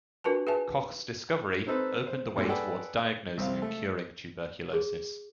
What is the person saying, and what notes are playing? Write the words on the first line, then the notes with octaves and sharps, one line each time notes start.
Koch's discovery opened the way toward diagnosing and curing tuberculosis.
D4 F4 F#4 A#4 B4 A5
G#4 B4 E5 G#5 A5
C4 D#4 A4 B4 C5
C5
B1 G#2 G3 A#3 A4
G#4 A4 B4 D5 F#5 G5
C2 C4 F5
A3
G#4